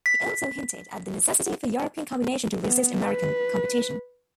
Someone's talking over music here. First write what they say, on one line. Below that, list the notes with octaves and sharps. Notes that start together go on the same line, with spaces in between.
He also hinted at the necessity for European combination to resist American competition.
B6
B3
B4